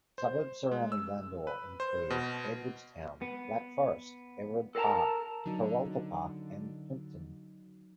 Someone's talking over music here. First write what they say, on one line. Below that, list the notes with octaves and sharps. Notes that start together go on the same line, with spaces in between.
Suburbs surrounding Glandore include Edwardstown, Black Forest, Everard Park, Kurralta Park and Plympton.
C5
G#3
E6
B4
C5
B2
B3
A4 A#4 C5 F#5 A5 A#5
D3 F#3 D#4